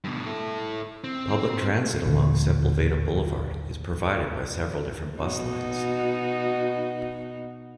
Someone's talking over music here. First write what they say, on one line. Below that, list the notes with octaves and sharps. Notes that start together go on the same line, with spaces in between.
Public transit along Sepulveda Boulevard is provided by several different bus lines.
G2 B2
E4 A4
C4
A1 D#2 A#2 D3
B2 D#4 F#4